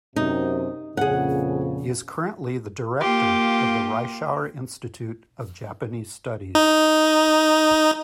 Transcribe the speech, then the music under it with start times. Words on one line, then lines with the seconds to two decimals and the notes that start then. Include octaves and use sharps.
He is currently the Director of the Reischauer Institute of Japanese Studies.
0.16 F#2 C3 D#4
0.97 F2 A#2 C#3 G#4 F#5
3.00 A#3 F4 G4
6.55 D#4